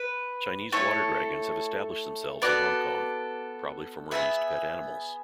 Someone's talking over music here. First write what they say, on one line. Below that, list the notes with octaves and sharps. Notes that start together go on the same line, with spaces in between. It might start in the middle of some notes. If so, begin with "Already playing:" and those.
Chinese water dragons have established themselves in Hong Kong, probably from released pet animals.
Already playing: B4
A3 E4 A4 C#5
B3 F#4 A4 D5
B3 D4 G#4 E5